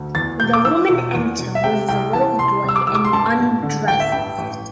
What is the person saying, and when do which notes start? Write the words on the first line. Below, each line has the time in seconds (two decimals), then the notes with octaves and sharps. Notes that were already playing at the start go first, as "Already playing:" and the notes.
The woman enter with the little boy and undresses him.
Already playing: D2
0.15 E2 A6
0.40 E1 G6
0.53 D6
0.65 E3 E6
0.89 E1
1.15 E2
1.39 E1
1.55 E5
1.64 C3 G5
1.88 C2 G5
2.13 E3 A5
2.39 C2 C6
2.64 C3 E6
2.76 D6
2.87 C2 E6
2.95 D6
3.05 C6
3.13 G2 A5
3.38 A1
3.63 D3
3.88 A1 G5
4.00 E5
4.12 G2 G5
4.38 A1